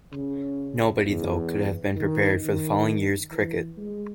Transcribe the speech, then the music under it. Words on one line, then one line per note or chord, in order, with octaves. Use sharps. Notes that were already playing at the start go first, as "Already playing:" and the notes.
Nobody, though, could have been prepared for the following year's cricket.
C#3
E2
D#3
D#3
E3
G#3